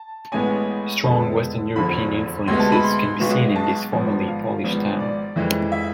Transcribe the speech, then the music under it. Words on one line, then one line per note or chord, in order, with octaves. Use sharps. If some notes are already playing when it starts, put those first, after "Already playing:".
Strong Western European influences can be seen in this formerly Polish town.
Already playing: A5
A1 A2 G#3 B3 G#5
F2 D3 G#3 B3 A5
F1 E2 D3 F3 B5
D2 C3 G#3 B3 C6
A5
B5
C6
B1 B2 G#3 B3
A5
G#1 G#2 F3 B3
F5
G#1 G#2 F3 B3
D5
F2 E3 G#3
E5